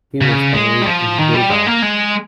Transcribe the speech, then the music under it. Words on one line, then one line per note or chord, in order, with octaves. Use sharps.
He was buried in Wildau.
C#3
G#3
G3
F3
D#3
G3
G#3
A#3
G#3